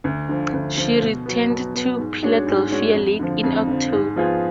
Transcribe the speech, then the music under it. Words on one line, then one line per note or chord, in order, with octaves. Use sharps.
She returned to Philadelphia late in October.
D2
D3 F3
D2
D3 F3
B2
F#3 B3
B2
F#3 B3
G#2
G#3 D4 F#4 C#5
G#2
G#3 D4 F#4 C#5
F2
D3 F3
F2
D3 F3
G#2
F3 B3 F4 G#4